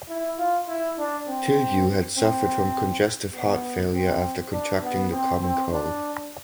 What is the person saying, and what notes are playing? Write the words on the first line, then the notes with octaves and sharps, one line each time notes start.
Tilyou had suffered from congestive heart failure after contracting the common cold.
E4
F4
E4
D4
C4
C4
B3
C4
D4
B3
C4
C4
D4